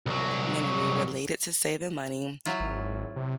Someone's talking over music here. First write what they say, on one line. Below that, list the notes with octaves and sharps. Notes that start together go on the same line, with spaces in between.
memory related to saving money
C2 F#3
F#3 E4 F4
G#1
C3